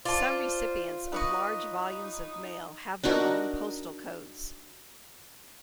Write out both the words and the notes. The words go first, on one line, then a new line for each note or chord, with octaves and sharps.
Some recipients of large volumes of mail have their own postal codes.
F4 C5 D5 A5
D#4 B4 C#5 D#5
D4 D#4 F#4 A#4